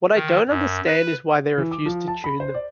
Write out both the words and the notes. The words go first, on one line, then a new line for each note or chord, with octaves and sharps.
What I don't understand is why they refuse to tune them.
D#3
F#2
B4
E3
D6
F3
A5
B5
C5
D5